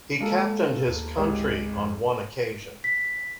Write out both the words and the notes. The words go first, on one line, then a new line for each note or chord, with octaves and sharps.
He captained his country on one occasion.
G#3 A#3 F4 A4
D#2
G#1 C#2 G#3 G4
F2
B6